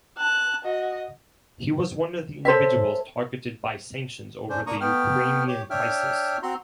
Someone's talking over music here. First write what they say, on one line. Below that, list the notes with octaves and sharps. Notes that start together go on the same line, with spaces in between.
He was one of the individuals targeted by sanctions over the Ukrainian crisis.
A5 F#6
F#4 D#5
A4 C5 C#5 E5
C#4 D4 C5
A#3 D4 A#5 C#6 D#6
A3 B3 G5 F6
G4 C#5
D4 C#5 E5 G5 F6
C4 F#4 A#5 C6